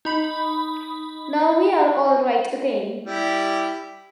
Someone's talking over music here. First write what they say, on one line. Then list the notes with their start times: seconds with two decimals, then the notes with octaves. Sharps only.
Now we're all right again.
0.05 D#4 B5
3.06 G3 E4 G4